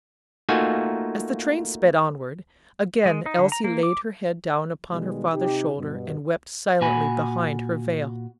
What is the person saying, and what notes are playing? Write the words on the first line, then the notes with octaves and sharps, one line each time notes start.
As the train sped onward, again Elsie laid her head down upon her father's shoulder and wept silently behind her veil.
A3 A#3 D#4 F4 F#4 G#5
G#3
D#4
D3
A#5
A#3
D6
B2 D#3 G3 G#3
C3 D#4 G4
G2 B2
A#2 F#4 G#5 B5